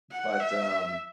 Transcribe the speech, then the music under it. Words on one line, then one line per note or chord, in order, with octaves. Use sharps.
But, um,
F#5
E5